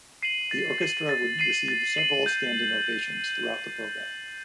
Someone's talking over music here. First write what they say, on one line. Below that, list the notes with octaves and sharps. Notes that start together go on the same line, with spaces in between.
The orchestra would receive several standing ovations throughout the program.
C7 D#7 F#7
A6
C7 D#7 F#7
A6
C7 D#7 F#7
A6
C7 D#7 F#7
G6